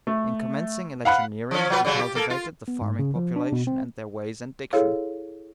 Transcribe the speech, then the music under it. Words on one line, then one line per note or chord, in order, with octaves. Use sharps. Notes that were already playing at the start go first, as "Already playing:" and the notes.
In commencing electioneering, he cultivated the farming population and their ways and diction.
A3
F5 F#5 B5 F#6
F3 C#4
F#3 F4 B4
C#3 F#3 G3
G4
A#3 A4
F4
B3
G#2
C#3
F3
D4
B2
C4
E4 G#4 A4 C#5 F5